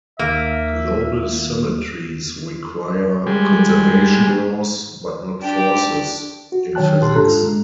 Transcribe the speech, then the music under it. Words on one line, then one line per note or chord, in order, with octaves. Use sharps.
Global symmetries require conservation laws, but not forces, in physics.
D#2 A#3 E5
G3 G#3
D4 G4
F#4
D#3 F#3 C#5 G5 A5 F#6
C2 A#2 G4 A5 C6 F#6
G#2 D4 F4 A4 A#5
G#3